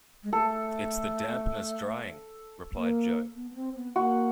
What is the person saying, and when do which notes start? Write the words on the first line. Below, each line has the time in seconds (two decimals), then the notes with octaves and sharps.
"It's the dampness drying," replied Jo.
0.23 G#3
0.33 A3 A4
2.75 A#3
3.36 B3
3.51 B3
3.55 C4
3.76 B3
3.96 A#3 F#4